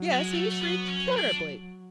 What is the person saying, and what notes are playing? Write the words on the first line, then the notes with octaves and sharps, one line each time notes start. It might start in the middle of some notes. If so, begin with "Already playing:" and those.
Yes, he shrieked terribly!
Already playing: F#3
G#3
A3
B3
C#4
D4